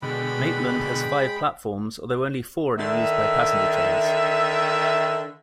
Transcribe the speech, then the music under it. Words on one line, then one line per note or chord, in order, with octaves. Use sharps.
Maitland has five platforms, although only four are used by passenger trains.
B2 D3 G#3 G5 B5
D3 D#3 E5